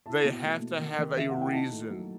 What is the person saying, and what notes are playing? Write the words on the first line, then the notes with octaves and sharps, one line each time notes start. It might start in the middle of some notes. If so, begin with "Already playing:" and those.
They have to have a reason
E4 A5
B2
A3
B2
D#3
D#3
D#3 E5
F#5
E4
G5
D#4 A5
A3
F#3